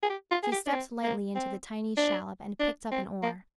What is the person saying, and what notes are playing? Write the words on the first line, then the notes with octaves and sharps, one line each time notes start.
She stepped lightly into the tiny shallop and picked up an oar.
G#4
G4
F4
G#4
G4
D4
C4
A#3
C4
D4
D4
C4
A#3